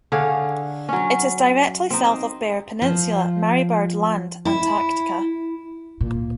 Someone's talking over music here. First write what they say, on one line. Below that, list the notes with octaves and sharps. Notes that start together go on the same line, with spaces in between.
It is directly south of Bear Peninsula, Marie Byrd Land, Antarctica.
D3 G#4 C#5 F5
F#3 C#4
C4 D#4
F3
E4
A#2